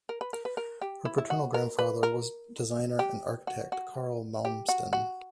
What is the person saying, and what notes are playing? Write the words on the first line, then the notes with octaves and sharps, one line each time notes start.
Her paternal grandfather was designer and architect Carl Malmsten.
A#4
B4
A#4
B4
A#4
G4
E4
E4
F#4
A#4
B4
A#4
G4
F#4
F#4
G4
F#4
F#4